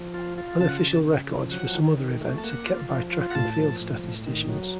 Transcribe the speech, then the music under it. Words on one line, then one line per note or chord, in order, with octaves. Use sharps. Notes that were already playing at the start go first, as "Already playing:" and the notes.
Unofficial records for some other events are kept by track and field statisticians.
Already playing: F3
F4
F4
C#3 A5
F#5
A5
C#3
C#3
F3
F#3 F#5
D#3
D#3
A3
A5
A#3 F#5
F4
F3
F4
F#5
A2 A5
F3
A2
A2
D#3
F#3